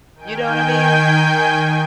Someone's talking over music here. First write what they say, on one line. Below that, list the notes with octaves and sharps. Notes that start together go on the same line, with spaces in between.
You know what I mean?
D#3 G5 G#5 G6